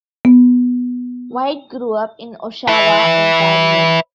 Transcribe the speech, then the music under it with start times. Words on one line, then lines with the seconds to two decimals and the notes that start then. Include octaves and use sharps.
White grew up in Oshawa, Ontario.
0.25 B3
2.68 B4 E5